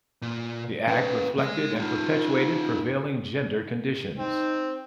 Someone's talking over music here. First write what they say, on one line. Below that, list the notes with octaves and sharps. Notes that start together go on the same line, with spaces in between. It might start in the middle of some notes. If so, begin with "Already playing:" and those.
The act reflected and perpetuated prevailing gender conditions.
A#2
C#4 B4
G#3 D#5
D#4 F4
C4 D#4